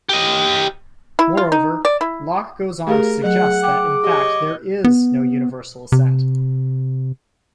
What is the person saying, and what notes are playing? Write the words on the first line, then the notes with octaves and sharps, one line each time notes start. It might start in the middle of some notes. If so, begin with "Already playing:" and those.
Moreover, Locke goes on to suggest that in fact there "is" no universal assent.
G4 D#5
E4
F4
D#4
D5
E4
A3 G4 G#4 A#4 F5
F#3 F#5
G5 D6
G4 C#5 D#5
B3
C3